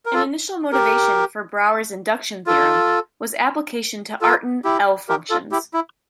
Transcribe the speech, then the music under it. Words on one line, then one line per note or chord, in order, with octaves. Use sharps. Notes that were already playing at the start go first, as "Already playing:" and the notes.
An initial motivation for Brauer's induction theorem was application to Artin L-functions.
A#4
F4 A4
G4 A#4
F4 A4
F4 A4
E4 G4
G4 A#4
F4 A4
E4 G4
E4